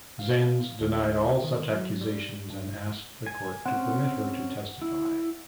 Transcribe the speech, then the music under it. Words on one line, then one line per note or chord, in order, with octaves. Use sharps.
Zenz denied all such accusations and asked the court to permit her to testify.
F5
D2
D#3
F#3
G3
G2
G#5
C4 C#4 F#5
E4